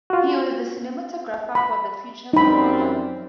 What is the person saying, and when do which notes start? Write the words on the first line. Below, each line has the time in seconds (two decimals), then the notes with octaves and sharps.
He was the cinematographer for the feature film Diwali.
0.10 F4 F#4
1.55 B5
2.33 F#2 G3 C4 D#4 B5